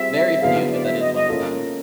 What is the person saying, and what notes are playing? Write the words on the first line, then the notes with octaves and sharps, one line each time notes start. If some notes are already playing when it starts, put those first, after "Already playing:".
Very few, but that is one of them.
Already playing: G3 C4 F4 G#4 E5
D3 F#3 B3 E4 G#4 F5
D5
E5
D#5
D#5
A#3 C#4 F4 A4